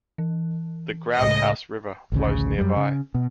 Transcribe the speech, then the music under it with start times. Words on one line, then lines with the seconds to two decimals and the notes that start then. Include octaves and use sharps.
The Groundhouse River flows nearby.
0.18 E3
1.18 C#2 A2 D#5
2.12 A1 D2 C#3
2.58 F#2 G3
2.76 C#3
3.14 B2